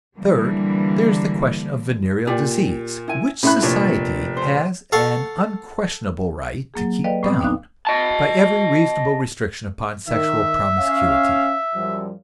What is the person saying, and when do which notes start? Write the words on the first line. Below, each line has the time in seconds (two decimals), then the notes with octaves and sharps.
Third, there is the question of venereal disease, which society has an unquestionable right to keep down, by every reasonable restriction upon sexual promiscuity.
0.16 D3 E3 G3 A#3
2.27 A#2 G4 D5
3.08 E4 G#5
3.43 A2 C#4 E5 B5 F#6
3.62 F1 A#2 D4 F4 C#5
4.37 C5
4.92 A4 F5 F#5 C#6
6.74 F#3 A#3 G#4
7.04 A4 B4 D5 D#5 F5 G5
7.23 A2 B3 C4 D6 D#6
7.40 D#2 B3 D4 D#4 F5 F#6
7.87 D#5 A5
10.08 D#3 E5
10.78 C#4 F5
11.75 F#2 F3 G3